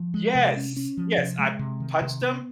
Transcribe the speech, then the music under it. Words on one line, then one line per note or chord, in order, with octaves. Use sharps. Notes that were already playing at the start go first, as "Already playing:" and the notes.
Yes, yes, I punched him,
Already playing: F3
G#3
C3
C#4
C#4
F3
C3
G#3
C3
D#3
C3
B3